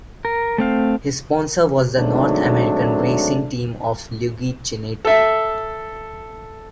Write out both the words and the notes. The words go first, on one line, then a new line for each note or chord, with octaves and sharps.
His sponsor was the North American Racing Team of Luigi Chinetti.
A#4
A3 C4 F5
G#2 D#3 F#3 A3 C4 D4
A4 E5